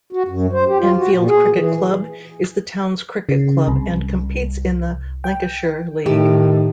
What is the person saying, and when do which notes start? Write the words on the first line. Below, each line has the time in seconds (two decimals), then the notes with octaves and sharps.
Enfield Cricket Club is the town's cricket club and competes in the Lancashire League.
0.13 F#4
0.28 F#2
0.53 C5
0.67 G4
0.80 F4
0.98 F#4
1.14 A#2
1.28 G#4
1.54 E3
3.29 C#3
3.68 C2
5.24 G5
6.06 A2 D#3 G4